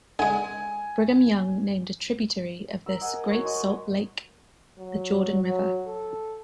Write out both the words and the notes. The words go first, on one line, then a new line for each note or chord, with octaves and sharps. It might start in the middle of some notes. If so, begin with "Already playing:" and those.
Brigham Young named a tributary of the Great Salt Lake the "Jordan River".
D3 G#3 G#5
A#4 E6
G#4 D#5 F#5
F#4 C#5
G#3 F#4 D#5
F#3
F#3
A4